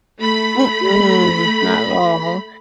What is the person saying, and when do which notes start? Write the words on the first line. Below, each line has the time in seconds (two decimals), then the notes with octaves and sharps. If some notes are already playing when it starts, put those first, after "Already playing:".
Mm-mm, not at all.
0.19 A3 B5